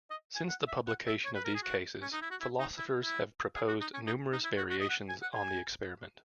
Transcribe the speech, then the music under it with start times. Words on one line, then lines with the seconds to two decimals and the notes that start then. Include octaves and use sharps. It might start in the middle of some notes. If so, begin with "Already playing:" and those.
Since the publication of these cases, philosophers have proposed numerous variations on the experiment.
0.11 D#5
0.36 G#5
0.49 F#5
0.68 E5
0.88 F#5
1.07 E5
1.25 C#5
1.35 B4
1.45 A#4
1.54 G#4
1.63 F#4
2.02 C#4
2.12 D#4
2.22 E4
2.31 F#4
2.41 E4
2.59 D#4
2.78 E4
3.04 E4
3.55 G#4
3.68 F#4
3.81 D#4
3.94 C#4
4.07 D#4
4.33 D#4
4.44 E4
4.57 F#4
4.70 F#4
4.80 D#5
4.90 F#5
5.09 G#5
5.22 F#5
5.34 G#5